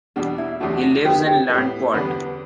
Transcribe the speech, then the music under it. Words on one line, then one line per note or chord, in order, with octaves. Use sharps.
He lives in Landquart.
E2 B2 G3 D4
E4
E2 C3 F#3 A3 D4 F#4
F#2 F#3 B3 E4 G4
G4
A2 G3 B3
C5
E2 D3 G3 B3 B4